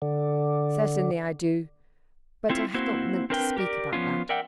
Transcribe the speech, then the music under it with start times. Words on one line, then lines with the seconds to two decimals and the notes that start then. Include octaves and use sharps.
"Certainly I do; but I had not meant to speak about that."
0.02 D3
2.50 A3 C4 E4 F4
2.74 A#3 C4 E4 F#4 C5
3.30 C4 D4 A#4 B4 D#5 G5
3.57 G4 A#4 D5
3.93 F3 B3 C#4 F4
4.29 A#4 D5 E5 F#5 G5